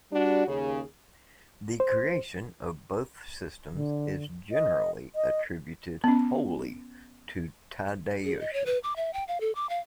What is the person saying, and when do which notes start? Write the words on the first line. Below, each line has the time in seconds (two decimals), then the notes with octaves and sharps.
The creation of both systems is generally attributed wholly to Tadayoshi.
0.12 G3 D4 F#4
0.47 D#2 C#3 G#4
1.80 C5
3.73 D3
4.52 D#5
5.15 D#5
6.04 B3 C#4
8.25 G#4
8.40 D#5
8.53 C#5
8.66 B4
8.83 D6
8.96 E5
9.14 G5
9.28 F5
9.41 A4
9.55 D6
9.69 F5